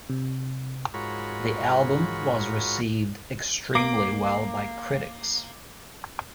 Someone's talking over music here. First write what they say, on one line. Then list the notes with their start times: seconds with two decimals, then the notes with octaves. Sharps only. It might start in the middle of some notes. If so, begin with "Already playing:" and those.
The album was received extremely well by critics.
0.10 C3
0.94 G#2 F4 F#4 A#4 C#5 B5
3.75 A#3 D6 D7